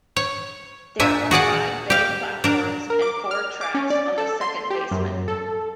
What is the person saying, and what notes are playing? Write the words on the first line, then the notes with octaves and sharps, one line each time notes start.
There are five bay platforms and four tracks on the second basement.
C#5
A#2 D4 E5 G#5
F#4 G#4 D5 F#5
G4 F5
D4 A#4
A#4
D6
F6
D6
C#4
D5
A4
C6
G4
F#2
A4